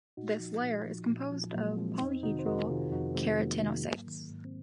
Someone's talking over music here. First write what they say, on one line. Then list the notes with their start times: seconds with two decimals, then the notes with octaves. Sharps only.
This layer is composed of polyhedral keratinocytes.
0.17 A#2 D#4 F#4
0.39 F3
0.63 A#2
0.86 F3
1.09 A#2
1.32 F3
1.54 A#2 F#3 A#3
1.77 F3 G#3 C4
2.00 F2 C4 D#4
2.23 C3 D#3 D#4 F#4
2.39 C5
2.46 F2 F#4 A#4
2.69 C3 D#3 F4 G#4
2.92 F2 D#4 F#4
3.15 C3 D#3 G#3 C4
3.38 F2 F#3 A#3
3.61 C3 D#3
3.84 G#2
4.07 D#3
4.30 G#2
4.45 C4